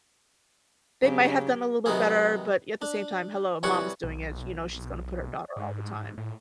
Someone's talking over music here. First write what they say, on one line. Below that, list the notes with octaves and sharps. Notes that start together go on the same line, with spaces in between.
they might have done a little bit better, but, yeah, at the same time, "Hello, mom's doing it." you know, she's gonna put her daughter all the time.
C#3 F#3 G4
C3 D#3 F#3 B3 G#4
D4
C2 E3 G3 C#5 F#5 C#6
B1
G#2
A2